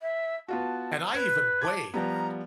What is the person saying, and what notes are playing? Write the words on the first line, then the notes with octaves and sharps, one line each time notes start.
and I even waved,
E5
B3 F4 F#4 A5
B4 G#6
A5 D6 G#6
F3 G3 B3 A#5